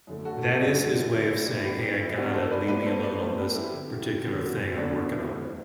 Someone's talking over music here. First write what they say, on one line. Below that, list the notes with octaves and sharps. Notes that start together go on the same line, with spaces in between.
That is his way of saying, "Hey, I got it, leave me alone on this particular thing I'm working on," right.
F#2 D3 A3
F#4 A4
F#4 A4
F#2 F#3 A3 C4 D4
D3 A3 D4 E4
E4
E4 G4
F#2 E3 B3 D4 G4 B4
E4
E4
E2 C3 G3 D4 F#4
A4 C5
B4 D5
A2 G3 B3 B4 D5
A4 C5
B4 D5
A2 E3 G3 B3 A4 C5
G4 B4
E4 G4
D3 G3 C4
E2 D3 F#3
E2 D3 F#3 B3 D4
E4
A2 G3 C4